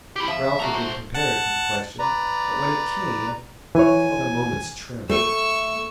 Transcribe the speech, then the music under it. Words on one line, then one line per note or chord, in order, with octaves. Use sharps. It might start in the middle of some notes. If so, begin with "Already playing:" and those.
Ralph had been prepared for the question, but when it came he felt a moment's tremor.
E4 G4
F3 E5
A3 F#4 F5 A#5
B1 C5
F#5 A5
B4 D5 A#5
E3 C#5 G#5
A3 C#6 E6